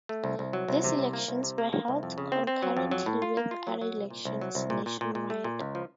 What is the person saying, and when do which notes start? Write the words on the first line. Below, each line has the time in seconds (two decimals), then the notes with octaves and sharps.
These elections were held concurrently with other elections nationwide.
0.09 A3
0.24 C2
0.39 C2
0.53 F#3
0.68 C2
0.84 C3
0.99 C2
1.13 A#3
1.28 C2
1.43 C3
1.58 A#3
1.73 A#3
1.88 C2
2.03 F2
2.18 C#3
2.32 C4
2.47 C4
2.63 F#3
2.77 F2
2.91 F#3
3.06 A2
3.22 F4
3.37 A#3
3.51 F4
3.67 F#3
3.81 F#3
3.97 C2
4.10 A#2
4.25 C2
4.41 F#3
4.55 C2
4.70 A#2
4.86 A#2
5.01 A#2
5.15 A#2
5.30 A3
5.44 A#2
5.60 C#2
5.75 F3